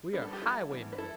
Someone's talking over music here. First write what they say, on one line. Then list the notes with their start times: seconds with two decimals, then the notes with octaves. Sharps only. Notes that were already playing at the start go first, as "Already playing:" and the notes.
We are highwaymen.
0.13 G3 B3 D4 B4
0.22 A4
0.33 G4
0.42 E4 A4
0.70 E3 G3 B3 D4
0.92 B4
0.98 E4 A4